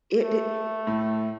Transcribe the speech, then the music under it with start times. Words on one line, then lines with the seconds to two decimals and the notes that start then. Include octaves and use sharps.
It it
0.20 A3
0.87 A2